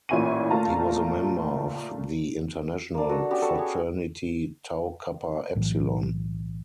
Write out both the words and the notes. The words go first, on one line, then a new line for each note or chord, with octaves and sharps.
He was a member of the international fraternity Tau Kappa Epsilon.
A1 A#2 E4 G#5 C#6 D#7
A#2 A3 F4 A5 A#5
A#3 D4
F#4 A4
B3 C#4 F#4 G4
A4 B4 A5 C#6
B3 G#4
B1 A2 E3 F#3